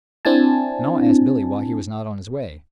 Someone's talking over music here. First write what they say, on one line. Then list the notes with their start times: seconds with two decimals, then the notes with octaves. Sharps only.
And all asked Billy why he was not on his way.
0.25 C4 D4 E4 G#5 A5